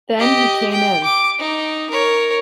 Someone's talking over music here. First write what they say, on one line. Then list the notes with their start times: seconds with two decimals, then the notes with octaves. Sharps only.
Then he came in.
0.18 G4 D#5
0.71 G5
1.04 D6
1.39 D#4
1.90 A#4 C#5